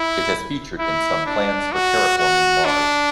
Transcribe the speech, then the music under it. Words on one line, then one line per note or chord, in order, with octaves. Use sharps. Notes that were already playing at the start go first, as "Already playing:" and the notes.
It has featured in some plans for terraforming Mars.
Already playing: E4
E4
D4
F#4
F#4
D4